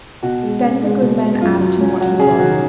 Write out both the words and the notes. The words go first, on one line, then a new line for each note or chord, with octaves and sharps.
Then the good man asked him what he was.
B2 F#4
G#3
C#4
G#3
B2
G#3
F#2 F4
F#3
C#4
F#3 F#4
C#4 G#4
D#3 F#4